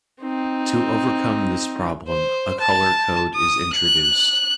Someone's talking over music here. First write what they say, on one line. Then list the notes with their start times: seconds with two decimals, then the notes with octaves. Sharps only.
To overcome this problem, a color code is introduced.
0.22 C4 D#4
2.08 C5
2.60 A5
3.35 D#6
3.73 F#6